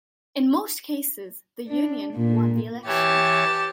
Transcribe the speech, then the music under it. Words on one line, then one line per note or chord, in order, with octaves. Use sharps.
In most cases, the union won the election.
D4
A#2
E3 G4 C#5 A5